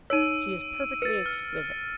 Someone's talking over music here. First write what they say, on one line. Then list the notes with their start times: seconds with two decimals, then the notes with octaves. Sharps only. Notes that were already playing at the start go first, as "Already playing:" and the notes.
She is perfectly exquisite.
0.10 D#4 C#5 E6 D7 D#7
1.02 B4 A6 C#7
1.26 F6